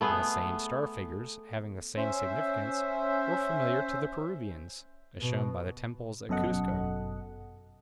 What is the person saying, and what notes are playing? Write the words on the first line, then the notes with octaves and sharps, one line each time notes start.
And the same star figures, having the same significance, were familiar to the Peruvians, as shown by the temples at Cuzco.
A3 B3 G#4
C#4 C5 E5
B2
G1 F#2 B2 A4 D#5 F#5